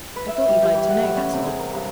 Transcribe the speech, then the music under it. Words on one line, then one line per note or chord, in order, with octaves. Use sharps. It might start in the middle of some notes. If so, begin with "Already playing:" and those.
I thought you'd like to know, that's all.
B4
E5
G3
G4
E3
F#5
A2
C#4
C3
G#4
A#4
G2